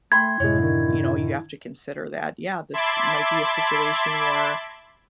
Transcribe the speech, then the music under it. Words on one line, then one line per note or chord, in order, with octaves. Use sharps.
you know, you have to consider that, yeah, this might be a situation where,
A3 G5 B5 C6 G#6
F#2 A2 C3 G#3 E4 C#5
D3 D#3
E5 A5 B5 C6 D6 G#6